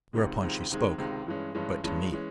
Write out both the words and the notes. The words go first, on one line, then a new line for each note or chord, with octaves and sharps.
Whereupon she spoke, but to me.
C#2 C3 D#3 G#3
C#2 C3 D#3 G#3
C#2 C3 D#3 G#3
C#2 C3 D#3 G#3
G2 E3 G#3 C#4
G2 E3 G#3 C#4
G2 E3 G#3 C#4
E3 G#3 C#4